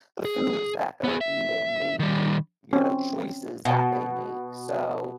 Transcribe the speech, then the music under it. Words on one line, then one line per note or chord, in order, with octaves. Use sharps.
the foods that they're eating, maybe, you know, choices that they make. So
G#4
B3 G#4
E5
D#3 G3
C4 C#4
B2